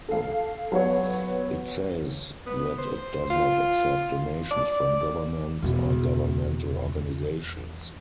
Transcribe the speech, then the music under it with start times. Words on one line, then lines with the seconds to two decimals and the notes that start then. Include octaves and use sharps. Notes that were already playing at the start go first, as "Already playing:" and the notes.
It says that it does not accept donations from governments or governmental organizations.
0.09 A4 F5
0.72 F#3 B3 C#5
2.46 B3
2.78 C5
3.30 F4
4.51 D5
5.62 E2 B2